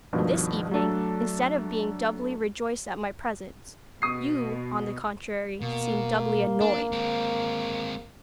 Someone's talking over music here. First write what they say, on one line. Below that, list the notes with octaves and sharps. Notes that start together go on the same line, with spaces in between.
And this evening, instead of being doubly rejoiced at my presence, you, on the contrary, seem doubly annoyed!
G2 B2 D#3 F3
F#3 A3 D4 A4
B2 C#6 D#6 C7
B2 A#3
D4
G#3 C4